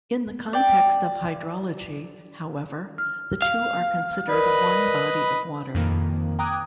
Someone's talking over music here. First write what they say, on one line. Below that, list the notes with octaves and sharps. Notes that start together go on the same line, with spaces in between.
In the context of hydrology, however, the two are considered one body of water.
D5 G5
F6
F5
A#4 B4 D5 D#5 B5
F2 A#2 D#3 F3 A#3
G5 A#5 D6 D#6 F#6 G#6